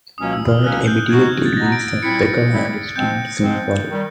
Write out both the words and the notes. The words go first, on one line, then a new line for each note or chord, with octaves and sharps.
Boyd immediately leaves and Picker and his team soon follow.
C#2 B2 F#3 A#3 C#4 D#6
E6
F6
C#2 B2 F#3 A#3 C#4 F#6
G6
B2 G#3 B3 D#4 F#4 G#6
G#6
G#6
A6
B2 G#3 B3 D#4 F#4 A#6
D7
D7
A#2 G3 C4 E4 C#7
A#2 G3 C4 E4
G#2 F3 G#3 C4 G6
G#2 F3 G#3 C4
D#3 G3